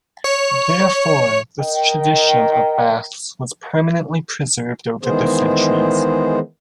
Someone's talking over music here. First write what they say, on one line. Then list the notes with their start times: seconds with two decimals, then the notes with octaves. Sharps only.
Therefore, this tradition of baths was permanently preserved over the centuries.
0.24 C#5
1.60 A#4 D#5 G5
5.03 D#3 E3 G#3 B3 G#4 C5